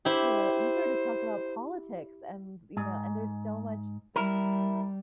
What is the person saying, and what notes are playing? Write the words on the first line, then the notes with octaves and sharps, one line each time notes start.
you know, eager to talk about politics and, you know, and there's so much
E4 G4 C5
G#2
G3 E4 A#4